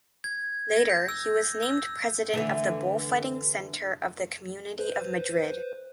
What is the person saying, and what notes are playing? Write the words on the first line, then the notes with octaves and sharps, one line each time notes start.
Later he was named President of the Bullfighting Center of the Community of Madrid.
G#6
A#6
G6
E6
E6
D3 E3 A3
B4 C5